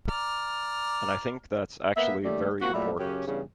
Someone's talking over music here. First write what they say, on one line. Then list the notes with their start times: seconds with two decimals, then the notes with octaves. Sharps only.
And I think that's actually very important.
0.09 D5 A#5 F6
1.96 A#3 B3 E5
2.24 D#2 C#3 G3 A3
2.61 A#3 C4 F#4
2.73 A#2 F#3 G3 A3 E4
2.99 F#2 C#3 C#4 G4
3.27 E2 G2 C#3